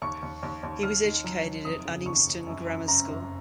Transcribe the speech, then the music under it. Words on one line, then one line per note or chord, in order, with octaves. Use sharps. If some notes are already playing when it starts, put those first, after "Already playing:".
He was educated at Uddingston Grammar School.
D#2 C#6
D#2
D#2
D#2
D#2 F6
D#3
F#3
D#3
F1 D#6
C#3
D#2 C#6
F1
F#2
F#2
F#1 A#5
F#2